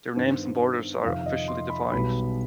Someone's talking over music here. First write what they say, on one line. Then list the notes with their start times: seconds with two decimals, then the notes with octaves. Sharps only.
Their names and borders are officially defined.
0.16 G2 D#3 B3 C5
1.04 F2 C3 D#3 F5
1.26 D#5
1.48 C6
1.70 B5
1.92 B1 B2 G3 B3 B5